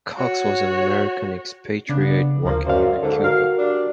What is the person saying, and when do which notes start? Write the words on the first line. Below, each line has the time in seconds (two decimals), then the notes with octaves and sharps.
Cox was an American expatriate working in Cuba.
0.16 F#4 C#5
1.89 C#3 B3 D4
2.45 D2 F3 A#3
2.67 F#2 C5 D5 F5
3.03 G#2 D3 A4
3.24 F#4 A#4 F5
3.59 G3 D4